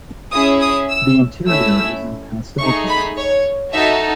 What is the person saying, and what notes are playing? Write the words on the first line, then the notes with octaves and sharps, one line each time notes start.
The interior is in pastel colours.
C#4 E4 G#4 D#6
D#6
E6
A3 C#4 E4 E6
A3 D#4 G#4 C#6
B5
C#5
D#4 F#4 A4 E5